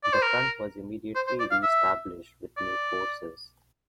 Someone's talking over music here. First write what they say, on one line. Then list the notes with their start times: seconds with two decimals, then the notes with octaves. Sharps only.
The Front was immediately re-established with new forces.
0.04 D5
0.13 C5
0.22 A#4
1.16 C5
1.27 C5
1.40 D5
1.51 F5
1.63 E5
2.57 D5